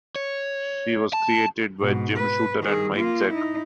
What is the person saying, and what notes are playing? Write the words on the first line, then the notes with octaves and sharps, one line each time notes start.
She was created by Jim Shooter and Mike Zeck.
C#5
A5
G#2 B2
B4
D#3 G#4
A#3 F4
D#4 E4